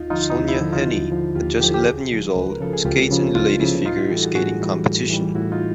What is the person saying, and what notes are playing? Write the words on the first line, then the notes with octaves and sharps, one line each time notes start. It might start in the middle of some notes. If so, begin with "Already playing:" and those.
Sonja Henie, at just eleven years old, skates in the ladies' figure skating competition.
Already playing: D#2 D#4 F4
D3 F3 D#4 F4
D#4
D#2 E4
E4
D3 F3
D#4 F4
D#2
D3 F3
D#2 F4 G4
D3 F3 G4 A4
G4
C#2 F#4 G#4
C#3 F3
C#2 B4
A#4
C#3 F3 A4
G#4
C#2 F4 G4
C#3 F3
C#2 D#4 F4
C#3 F3 E4
A2 D#4 F4
E4 F#4
E3 G3 G4 A4
F#4 G#4
A2 F#4 G#4
E3 G3
A2
E3 G3
A2 E4 F#4
D#4 F4